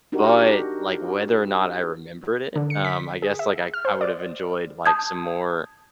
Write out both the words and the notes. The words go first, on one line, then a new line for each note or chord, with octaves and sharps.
but, like, whether or not I remembered it, um, I guess, like, I I would have enjoyed, like, some more
D4 D#4 F#4 G4 A#4
D3
C#7
B6
G#4
E5
F6
C5
D5
A5 D#6 G6 G#6